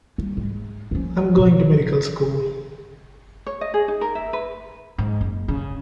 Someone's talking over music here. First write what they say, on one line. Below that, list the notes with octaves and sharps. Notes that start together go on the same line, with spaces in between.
I'm going to medical school.
G3
G#2
F3 C#4
B2
C#5
D#5
G#4
D#4
A#4
E5
B4
G#2
F#1
C#3